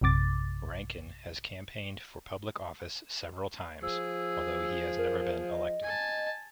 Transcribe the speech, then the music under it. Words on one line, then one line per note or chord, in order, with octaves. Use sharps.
Rankin has campaigned for public office several times, although he has never been elected.
A#1 F#2 C3 D6 A6
F3 G#4 E6
A#4
D#5
G#5 A5